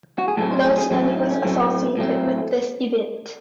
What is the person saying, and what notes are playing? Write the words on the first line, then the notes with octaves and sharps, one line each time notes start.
No tsunami was associated with this event.
F#4
G#4
A2 F#3 A3 C4 A4
C5
G#4
G#4
A2 F#3 A3 C4 C#4
C#4
D#4
C#4
A2 F#3 A3 C4
A2 F#3 A3 C4